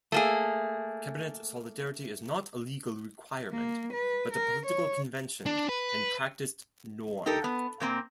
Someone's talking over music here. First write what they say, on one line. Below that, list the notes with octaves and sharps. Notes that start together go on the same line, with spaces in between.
Cabinet solidarity is not a legal requirement, but a political convention and practiced norm.
A3 A#3 G#4
A#3
B4
A#4
C#5
D4
B4
D#4 G4 A4 A#4
B3
A#2 A#3 C4